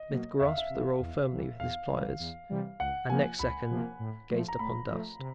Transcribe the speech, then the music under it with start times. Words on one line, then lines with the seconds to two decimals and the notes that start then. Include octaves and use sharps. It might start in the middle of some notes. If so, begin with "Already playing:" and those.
Smith grasped the roll firmly with his pliers --and next second gazed upon dust.
Already playing: D#5
0.10 B2 F#3 A#3
0.40 E2 E5
0.48 F5
0.58 E5
0.70 C3 E3
1.00 E2
1.30 C3 E3
1.59 E2 F5
1.89 C3 E3 G3
2.19 E2
2.49 C3 E3 G3
2.80 C#2 F#5
3.10 C3 F3 A#3 G#5
3.39 C#2 B5
3.69 C3 F3 A#3
3.99 A2
4.29 F3 A3
4.48 A#5
4.59 A2 B5
4.89 F3 A3
5.19 C3